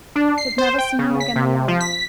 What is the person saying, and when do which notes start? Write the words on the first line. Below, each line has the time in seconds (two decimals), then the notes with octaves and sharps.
She had never seen him again alive.
0.16 D4
0.38 C7
0.58 C5
0.78 G5
0.99 C#3
1.20 B6
1.36 C3
1.68 F3
1.80 B6